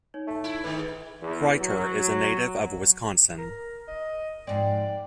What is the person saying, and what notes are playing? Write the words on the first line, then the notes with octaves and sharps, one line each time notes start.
Kreiter is a native of Wisconsin.
D#4 C#5
A3
E4
G#2 D#3 B4
E2
F#3
A#4
D#5
F2 G#2 C4 D5